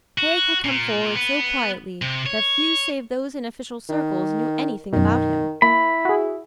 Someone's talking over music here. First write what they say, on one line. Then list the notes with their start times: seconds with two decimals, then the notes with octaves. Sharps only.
Haig had come forward so quietly that few save those in official circles knew anything about him.
0.18 F#4
0.65 A#2
1.16 B3
2.02 C3
2.26 C#5
3.89 D#3
4.93 F#2 B2 D#3
5.62 A#3 E4 B5
6.05 F#4 G#4